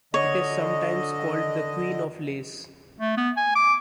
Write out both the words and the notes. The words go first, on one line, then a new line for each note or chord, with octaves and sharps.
It is sometimes called the Queen of lace.
D3 C#5 D#5
A3
B3
G#5
D6